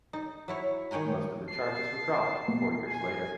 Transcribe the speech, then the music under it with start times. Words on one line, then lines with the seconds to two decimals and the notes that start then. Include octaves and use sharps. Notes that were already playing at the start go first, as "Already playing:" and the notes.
Most of the charges were dropped four years later.
0.13 D#4
0.48 F#3 E4 C#5
0.91 D#3 C#5 G5 G#5 A#5
1.48 A5 C7
2.48 B2
2.88 G#5